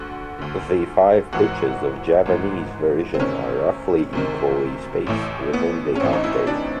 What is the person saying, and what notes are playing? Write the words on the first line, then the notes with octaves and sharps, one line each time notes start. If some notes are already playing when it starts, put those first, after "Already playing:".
The five pitches of the Javanese version are roughly equally spaced within the octave.
Already playing: D2 D3 F#4
D2 D3
G#1 G#2 E3 F#4
G#1 G#2 E3
C4
D2 C3 D#3 C#4
D2 C3 D#3
A1 A2 E3
B3
C#4
A1 A2 E3 C4
D#4
E4
D4